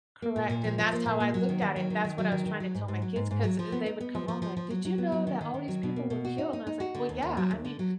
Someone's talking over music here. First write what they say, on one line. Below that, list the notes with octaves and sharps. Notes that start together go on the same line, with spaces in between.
Correct, and that's how I looked at it, that's what I was trying to tell my kids 'cause th they would come home like, "Did you know that all these people were killed?" And I was like, "Well, yeah," I mean,
A#3
A#2
A#2
F3
F3
A#3
A#2
A#3
F#3
D#3
D#3
F#3
D#3
D#3
F#3
D#3
D#3
F#3
G#2
G#2
F#3
G#2
G#2
F#3
F3
B3
D#4
B3
F3
F3
F3
F3
F#3
F#3
B3
F#3
D#3
D#3
D#3
F#3
B2
A#3
B2
F#4
D#4
D#4
D#4
F#4
D3
D#2
D#2
F#3
D#2
D3
F#3